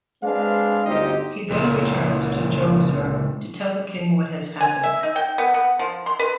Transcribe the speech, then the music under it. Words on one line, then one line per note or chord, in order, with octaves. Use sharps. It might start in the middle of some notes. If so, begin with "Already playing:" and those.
He then returns to Djoser to tell the king what has happened.
G#3 C4 D4 B4 F5
G1 D2 C4 D#4 G4 D#5
C#2 A#2
G#5
E5
D#4
G5
B3
B3
F3
C6
B4